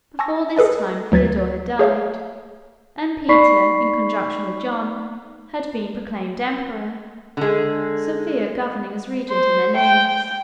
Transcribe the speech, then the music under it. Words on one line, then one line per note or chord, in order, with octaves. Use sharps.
Before this time Theodore had died, and Peter, in conjunction with John, had been proclaimed emperor, Sophia governing as regent in their names.
G#5 A5 C#6 E6 A#6
G#4 A4 B4 D#5 A5
D2 F#3 G#6 A6 B6
G#4 C#5 E5 F5
D#4 D5 B5 C#6 B6 C7
D3 G#3
C5
G5
G5